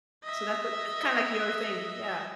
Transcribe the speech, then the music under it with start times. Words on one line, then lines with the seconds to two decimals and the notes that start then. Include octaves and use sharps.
So, that's what it's kinda, like, your thing, yeah.
0.23 D#5 E5